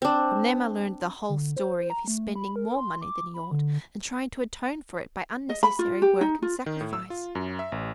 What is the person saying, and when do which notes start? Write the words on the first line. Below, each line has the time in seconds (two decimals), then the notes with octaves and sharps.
From them I learned the whole story of his spending more money than he ought and trying to atone for it by unnecessary work and sacrifice.
0.02 C4 D4
1.29 D3
1.57 C5
1.90 A#5
2.08 A3
2.36 B5
2.56 A#4
2.77 C6
3.02 D6
3.34 B5
3.51 D3
5.49 D#5
5.63 B5
5.79 F4
6.02 G4
6.21 D#4
6.42 F4
6.66 D#3
6.81 A2
6.93 E6
7.10 F4
7.35 F#2
7.59 E5
7.72 A1